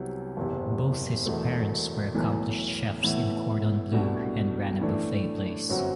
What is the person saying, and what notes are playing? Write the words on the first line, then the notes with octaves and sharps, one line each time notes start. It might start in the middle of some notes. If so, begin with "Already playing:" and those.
Both his parents were accomplished chefs in cordon bleu and ran a buffet place.
Already playing: C2 C3 F#3 B3
F#1 E2 C3
E1 E2 B2 A3
B1 A2 E3
A2 E3 B3 E4
C2 B2 A3 D4 F#4
A2 E3 A3 D4
G1 F#2 F#3 C4 F#4